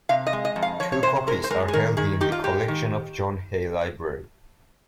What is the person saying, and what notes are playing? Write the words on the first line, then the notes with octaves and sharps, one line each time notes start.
Two copies are held in the collections of John Hay Library.
C3 F5
D#5
G#3
D#5
F2
F5
F3 C#5
C#5
C3 C5
G#3 A#4
C5
G#3 A#4
G#4
D#3 A#4
D#3 G#4
D#4 G4
F4
G#3 G4
D#3